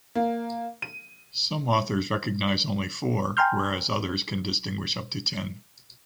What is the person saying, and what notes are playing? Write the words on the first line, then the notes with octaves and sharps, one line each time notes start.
Some authors recognize only four whereas others can distinguish up to ten.
A#3
D#7
G5 G#5 A#5 C6 F6 G6